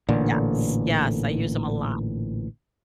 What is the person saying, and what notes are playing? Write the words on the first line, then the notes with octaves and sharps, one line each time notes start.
Yes, yes. I use 'em a lot.
A1 A#2 D3